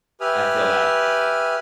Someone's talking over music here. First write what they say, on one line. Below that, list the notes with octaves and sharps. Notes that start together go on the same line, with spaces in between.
I feel that.
G4 B4 E5 G#5 D#6 F6